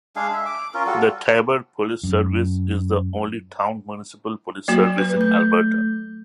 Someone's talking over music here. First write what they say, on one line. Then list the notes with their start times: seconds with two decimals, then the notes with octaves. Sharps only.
The Taber Police Service is the only town municipal police service in Alberta.
0.16 G#3 D4 G#4 F5
0.33 E5
0.46 D6
0.74 C#4 F4 A#4
0.86 G3 F4 F#4 A4
2.03 F#2
4.68 F#3 A#3 F#4
4.98 B4
5.17 A3 G6